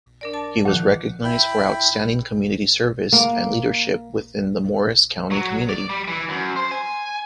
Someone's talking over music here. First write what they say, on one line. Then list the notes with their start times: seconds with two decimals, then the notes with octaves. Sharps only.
He was recognized for outstanding community service and leadership within the Morris County community.
0.21 D4 A#4 D5
0.33 A5 D6 A6
0.65 A#2 D#3 F3 F#5
1.24 E4 G5 B5
3.12 A#3
5.31 F#3
5.69 D5
5.89 G3
6.08 E3
6.29 F#2
6.56 C5
6.71 G#5